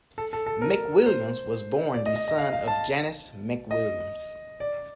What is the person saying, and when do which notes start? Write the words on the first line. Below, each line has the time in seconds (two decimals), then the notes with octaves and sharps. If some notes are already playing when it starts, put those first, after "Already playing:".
McWilliams was born the son of Janice McWilliams.
0.18 A4
0.33 A4
0.46 A4
0.62 A#4
1.06 C5
1.94 D5
2.06 D#5
2.16 D#5
2.28 D#5
2.38 F5
2.53 F5
2.68 A5
3.71 D#5
4.60 D5